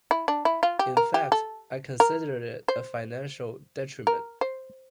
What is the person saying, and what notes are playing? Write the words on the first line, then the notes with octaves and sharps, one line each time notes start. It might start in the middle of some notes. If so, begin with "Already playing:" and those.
In fact, I considered it a financial detriment.
E4
D4
E4
F4
G4
A#4
G4
A4
A#4
C5
A#4
C5